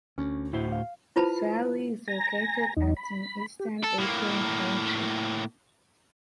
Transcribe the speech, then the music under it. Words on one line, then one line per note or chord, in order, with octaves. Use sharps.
Salley is located at in eastern Aiken County.
D2 C#4
A2 E4 F#4 C5
F5
E4 F4 B4 C5 A5 B5
G#5 A#5 A#6
E2 D#4
B5
G4
A4
A2 A#3